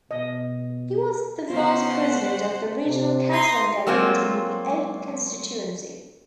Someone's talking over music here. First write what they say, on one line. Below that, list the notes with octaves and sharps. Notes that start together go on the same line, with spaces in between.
He was the Vice President of the Regional Catalan Government in the eighth constituency.
B2 D#5
C#3 B3 F4 C5 F#5
C3
D#4 C6
F#3 G#3 A#3 C4 F4 F#4